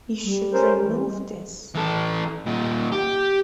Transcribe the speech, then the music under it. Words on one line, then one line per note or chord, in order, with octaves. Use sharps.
You should remove this.
G3
C#4 A#4 C5
E3
G#3
E3 A4
A#2 D#4
G4